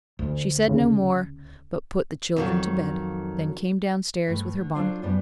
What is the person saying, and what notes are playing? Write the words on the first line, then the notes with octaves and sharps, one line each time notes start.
She said no more; but put the children to bed; then came downstairs with her bonnet on.
D2
D#2 C#3
F2 D#3 F#3
G2 A3 B4
D3
F#3 D4 F4 A4 C5 F5
F#2 C3 G3 B3 D4